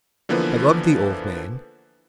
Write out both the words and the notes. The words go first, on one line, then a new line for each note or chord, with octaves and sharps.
I loved the old man.
D3 E3 F3 A#3 B3 B4